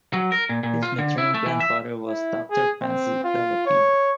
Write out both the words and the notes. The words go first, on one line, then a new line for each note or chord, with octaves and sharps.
His maternal grandfather was Doctor Francis Delafield.
F#3
A#4
A#2
A#2
F4
D3
E4
A3
E3
E5
E4
G#4
C4
F4
C#5